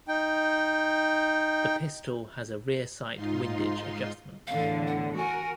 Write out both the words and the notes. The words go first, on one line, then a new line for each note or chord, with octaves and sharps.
The pistol has a rear sight windage adjustment.
D#4 G5
G#2 D#4 F4 C6
E2 A2 D3 F5
F#5
F#4 A#4 G#5